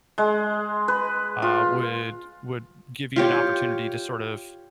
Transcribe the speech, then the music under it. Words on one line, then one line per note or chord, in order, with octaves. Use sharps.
uh, would would give you an opportunity to sort of
G#3
B4
F4
F4 G4 C#5